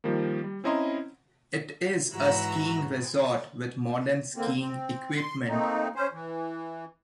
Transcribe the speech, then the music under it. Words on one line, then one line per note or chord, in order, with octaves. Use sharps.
It is a skiing resort with modern skiing equipment.
D#3 F3 G3 A#3
G3
C4 C#4 E4 D#5 A#5 C6
G#2 E3 F#4 A#5 E6
D3 A#3 C4
C4
C6
A3 A#3 C4 D#4
C#4 C5
E3